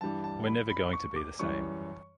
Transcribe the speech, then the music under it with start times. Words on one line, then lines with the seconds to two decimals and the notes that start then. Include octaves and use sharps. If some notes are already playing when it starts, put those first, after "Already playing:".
We’re never going to be the same.
0.01 G2 E3 G3 A5
0.24 A5
0.47 B5
0.70 B5
0.93 C#6
1.16 D6
1.39 F#2 E3 G3 C#6